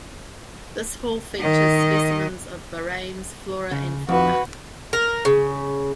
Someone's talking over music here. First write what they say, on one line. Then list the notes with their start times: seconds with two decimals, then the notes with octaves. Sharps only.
This hall features specimens of Bahrain's flora and fauna.
1.40 D#3 D#5
3.71 C#3
4.09 F2 F#4 B4
4.93 A#4
5.25 C#3